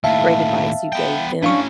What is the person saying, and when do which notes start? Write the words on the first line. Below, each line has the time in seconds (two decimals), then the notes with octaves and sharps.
great advice you gave them?
0.04 D#2 A2 E5 F5 A5
0.93 B3 G5
1.42 A2 C#4 D4 F5 C#6